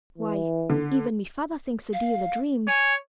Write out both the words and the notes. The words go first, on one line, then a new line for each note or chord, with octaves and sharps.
Why, even my father thinks a deal o' dreams!
E3
D3
F5
C#5 G#5